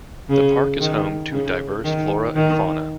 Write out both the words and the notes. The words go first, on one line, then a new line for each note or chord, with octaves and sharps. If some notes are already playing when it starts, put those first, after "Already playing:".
The park is home to diverse flora and fauna.
C#3
D#3
C#3
D#3
D#3